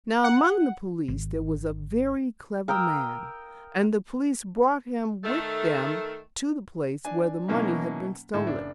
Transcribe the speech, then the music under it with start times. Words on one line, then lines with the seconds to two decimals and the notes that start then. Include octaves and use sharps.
Now, among the police there was a very clever man, and the police brought him with them to the place where the money had been stolen.
0.24 F#5
1.08 G#1
2.68 A#4 G5 D#6 E6
5.24 D#3 A3
7.05 D4 G#5
7.48 B2 E3 F#3 A#3 C#4 D#4
8.34 A2 D3
8.47 F#1 D4